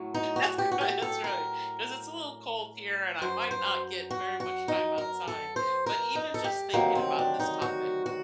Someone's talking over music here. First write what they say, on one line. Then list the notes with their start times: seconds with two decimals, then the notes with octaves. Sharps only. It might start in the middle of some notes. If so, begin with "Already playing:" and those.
That's right, that's right. ‘Cause it's a little cold here and I might not get very much time outside. But even just thinking about this topic,
Already playing: A2 F#3
0.14 D#4
0.36 F#4
0.58 G4
0.72 F#4
0.81 G4
1.02 A4
1.24 A#4
3.22 F#2 F#3 C5
3.51 C5
4.10 F#4
4.40 F#4
4.68 D#4
4.98 A#4
5.28 A4
5.56 C5
5.86 A#4
6.15 D#4
6.34 A4
6.44 G4
6.74 D2 C3 D#3 F#3 A#3
6.95 C4
7.19 D4
7.39 D#4
7.62 F#4
8.06 F#4